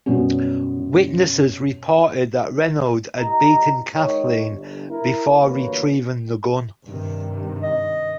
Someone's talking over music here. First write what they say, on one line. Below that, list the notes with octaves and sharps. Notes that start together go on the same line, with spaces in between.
Witnesses reported that Reynolds had beaten Kathleen before retrieving the gun.
F#2 B2 G3 B3 C#4
C2 D#5 A#5
G#2 D#3 D#4 C#5
G1
E4 A#4
G1 E3 F#3 A#3 B4 C#5
G2 C3 D#3
D#5